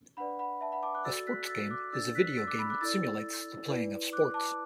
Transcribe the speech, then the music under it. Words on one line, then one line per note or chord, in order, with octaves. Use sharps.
A sports game is a video game that simulates the playing of sports.
D4 B4 D5 F#5 B5
F#5 B5
E5 A5
F#5 B5
A5 D6
D6 F#6
F#4 A4 D5 E6 A6
F#6 B6
E6 A6
D6 F#6
D4 A4 D5 E6 A6
F#6 B6
E6 A6
D6 F#6
B5 E6
D6 F#6
E4 A4 D5 E6 A6
E4 B4 D5
D6 F#6
A5 D6